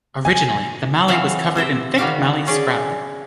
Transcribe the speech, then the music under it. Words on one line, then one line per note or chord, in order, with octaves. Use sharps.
Originally the Mallee was covered in thick mallee scrub.
G#5
E3 F#3 C4 E5 F5 G#5
C3 C5 E5 G5
C3 D#3 G3 F#4 G4 F5
C#4 G#4 D5